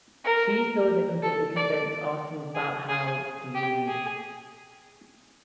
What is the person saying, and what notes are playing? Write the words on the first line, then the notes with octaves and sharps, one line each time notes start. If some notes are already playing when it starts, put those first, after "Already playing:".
She still isn't completely convinced, asking, But how do you know?
A#4
A4
D5
G#4
G#4
G4
G#4